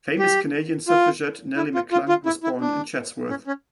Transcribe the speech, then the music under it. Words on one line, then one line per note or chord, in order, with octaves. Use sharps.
Famous Canadian suffragette Nellie McClung was born in Chatsworth.
G4
F4
E4
F4
F4
F4
E4
E4
D4
C#4
C#4